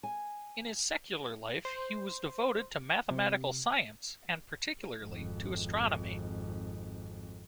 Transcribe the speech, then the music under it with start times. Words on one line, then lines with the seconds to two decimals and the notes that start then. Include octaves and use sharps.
In his secular life he was devoted to mathematical science, and particularly to astronomy.
0.03 G#5
1.65 C5
3.11 C3
5.04 G#1 F2